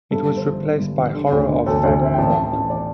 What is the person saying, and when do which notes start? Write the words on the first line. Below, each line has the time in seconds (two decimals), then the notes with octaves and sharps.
It was replaced by "Horror of Fang Rock".
0.11 G2 A4
0.28 D3
0.37 C5
0.46 G1
0.63 D3
0.80 G2
0.97 G1
1.14 D3
1.32 D2
1.49 D3
1.66 D2 A4
1.83 D2
2.01 C4 E5
2.14 G5
2.18 A1 A5
2.35 A1
2.44 A5
2.52 A1
2.70 D5